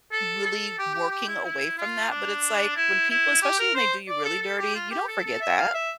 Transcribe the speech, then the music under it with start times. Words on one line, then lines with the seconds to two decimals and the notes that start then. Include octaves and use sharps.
really working away from that, but it's like, when people especially when they do you really dirty, you don't forget that.
0.12 A4
0.45 A4
0.79 G4
0.94 G4
1.11 G4
1.28 E4
1.44 E4
1.77 F4
2.10 D4
2.76 E4
3.10 E4
3.42 G4
3.59 A#4
3.75 C5
4.09 D5
4.25 A4
4.41 A4
4.58 G4
4.75 F4
4.91 G4
5.08 A4
5.25 A4
5.41 E5
5.58 F5
5.74 E5